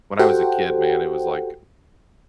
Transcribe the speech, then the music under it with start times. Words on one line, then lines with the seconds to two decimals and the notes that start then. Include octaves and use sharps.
when I was a kid, man, it was, like,
0.19 F#4 G4 A4 C5 F#5 G5